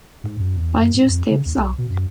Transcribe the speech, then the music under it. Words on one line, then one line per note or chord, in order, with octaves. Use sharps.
Banjo Steps Out.
G#2
F#2
E2
F#2
G#2
F2
C#3
D#2
B1
B2
F#2